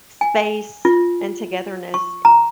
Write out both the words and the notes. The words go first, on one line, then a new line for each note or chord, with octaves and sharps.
space and togetherness,
G#5
F4
C#6
A#5